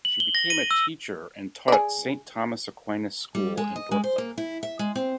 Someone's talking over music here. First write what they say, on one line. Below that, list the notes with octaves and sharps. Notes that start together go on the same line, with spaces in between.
She became a teacher, and taught at Saint Thomas Aquinas School in Brooklyn.
F#7
G7
A#6
D#7
E6
G#4 D5
G3
G#3
D#5
G#3
C5
A#3
E4
E5
G#3
C4